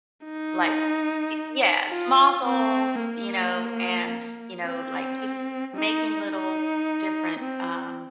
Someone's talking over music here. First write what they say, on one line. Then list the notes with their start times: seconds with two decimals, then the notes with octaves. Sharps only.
like s Y yeah, small goals, you know, and, you know, like, just making little different, um-
0.25 D#4
1.91 F4
2.45 C4
3.00 A#3
4.65 C4
5.76 D#4
6.31 D#4
7.40 C4